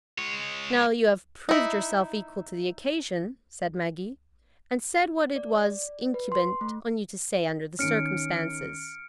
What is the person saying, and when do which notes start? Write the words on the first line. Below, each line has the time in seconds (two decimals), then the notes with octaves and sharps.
"Now you have proved yourself equal to the occasion," said Maggie, "and said what it was incumbent on you to say under the circumstances."
0.18 G#3 C#5
1.49 D#4 E4
5.36 D5
6.14 B4
6.32 C6
6.61 A3
7.79 D#3 C#4 F6 C#7 D7